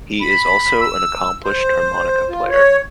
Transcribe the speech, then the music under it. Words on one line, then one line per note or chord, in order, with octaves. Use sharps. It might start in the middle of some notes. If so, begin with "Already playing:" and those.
He is also an accomplished harmonica player.
B5
E6
C5
F4
C#5